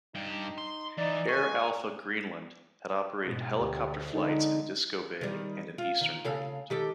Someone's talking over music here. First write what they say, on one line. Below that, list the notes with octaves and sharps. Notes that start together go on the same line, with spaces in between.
Air Alpha Greenland had operated helicopter flights in Disko Bay and in eastern Greenland.
G2 D#4 G4
C6
E3 D#4 D5
G#3 G#5 C#6
G#2 B2
D2 G4
D3 G#3 D#4
D#3 G3
F4
D#3
C#3 A4 F5
D#3 G4 A4